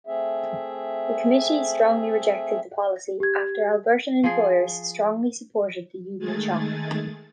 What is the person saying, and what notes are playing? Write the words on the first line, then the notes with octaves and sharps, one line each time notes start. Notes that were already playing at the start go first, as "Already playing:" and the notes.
The committee strongly rejected the policy after Albertan employers strongly supported the union shop.
A3 C4 G#4 E5
G4 G#6
F3 G#4
D#3 G#3 A3 G#4 G#6 A6